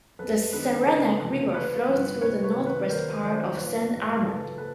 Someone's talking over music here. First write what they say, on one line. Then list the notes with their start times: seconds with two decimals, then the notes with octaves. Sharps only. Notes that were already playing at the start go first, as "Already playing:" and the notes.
The Saranac River flows through the northwest part of Saint Armand.
0.19 F#2 A4 B4
0.53 D#3 G#3 B3 D4 A4 B4
0.86 F#1 A4 B4
1.20 E2 C3 F3
1.54 A1 B4 C#5
1.88 G2 D3 F3
2.21 C2 B4 C#5
2.44 B4 C#5
2.56 C3 D#3 F#3
2.66 B4 C#5
2.89 D#2 A#4 C5
3.23 D#3 F#3 C5 D5
3.56 A#1 B4 C#5
3.91 G#2 E3
4.24 F#1 A4 B4
4.58 A4 B4